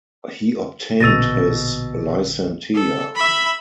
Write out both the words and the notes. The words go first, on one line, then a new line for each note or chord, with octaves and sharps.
He obtained his "licentia".
A#1 B2 D3 E6 A6 A#6 D#7 F7
A4
E5 B5